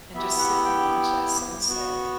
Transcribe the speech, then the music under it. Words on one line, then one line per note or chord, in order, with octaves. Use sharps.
and just sit and watch that sunset
B3 E4 G4 E5
F#5
G5
B3 F#4